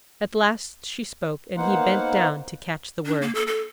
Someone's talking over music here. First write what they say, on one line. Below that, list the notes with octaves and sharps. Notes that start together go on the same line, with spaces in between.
At last she spoke, and he bent down to catch the words.
A#3 B3 D#4 C5 F5 F#5
D4
A#3
A4
A4